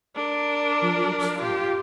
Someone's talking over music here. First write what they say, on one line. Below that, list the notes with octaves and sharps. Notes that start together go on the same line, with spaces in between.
Who weeps for them?
D4 A#4
F4 G4